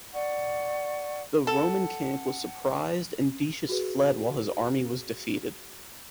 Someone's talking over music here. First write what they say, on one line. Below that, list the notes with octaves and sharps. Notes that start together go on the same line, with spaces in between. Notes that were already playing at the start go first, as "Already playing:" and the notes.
The Roman camp was surprised and Decius fled while his army was defeated.
D5 F#5 C#6
A4 F#5
F#4 G#4 B4